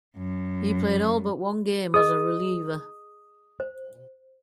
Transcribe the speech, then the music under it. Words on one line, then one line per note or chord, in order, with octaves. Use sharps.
He played all but one game as a reliever.
F#2
G#4 D#5 D#6
C5